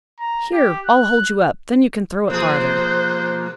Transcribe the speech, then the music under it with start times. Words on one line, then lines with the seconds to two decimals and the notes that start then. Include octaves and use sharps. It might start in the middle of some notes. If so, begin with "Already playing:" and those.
Here, I'll hold you up, then you can throw it farther.
0.20 A#5
0.53 G4
0.86 F#6
2.30 B2 F3 A#3 G#4 C5 F#6